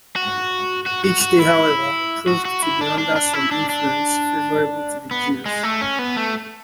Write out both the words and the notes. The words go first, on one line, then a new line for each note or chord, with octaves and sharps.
Each day, however, proved to be under some influence favorable to the Jews.
F#4
F#4
F#4
F#4
E4
F#4
F#4
E4
D4
D4
D4
E4
D4
D4
B3
G#3
A3
C#4
B3
A3